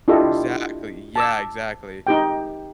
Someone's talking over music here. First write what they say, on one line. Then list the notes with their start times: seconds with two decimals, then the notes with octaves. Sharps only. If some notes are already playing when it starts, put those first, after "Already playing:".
Exactly, yeah, exactly.
0.08 D4 E4 F4 G4 A4 D#5
1.16 A5 D6 E6
2.07 D#4 G4 G5